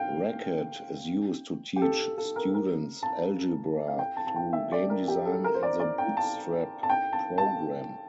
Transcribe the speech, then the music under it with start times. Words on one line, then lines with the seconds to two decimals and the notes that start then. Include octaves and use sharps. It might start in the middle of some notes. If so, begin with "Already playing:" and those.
Racket is used to teach students algebra through game design in the Bootstrap program.
Already playing: F5 G5
1.76 G4
1.82 A4
2.18 A4
2.36 A#4
2.54 A#4
3.03 A5
3.88 F5
3.99 G5
4.17 A5
4.27 A5
4.36 G5
4.53 E5
4.72 D5
4.90 A#4
5.08 G4
5.25 A4
5.44 A#4
5.54 C5
5.63 D5
5.80 D5
5.98 G5
6.17 A5
6.83 A5
6.90 G5
7.13 A5
7.38 A5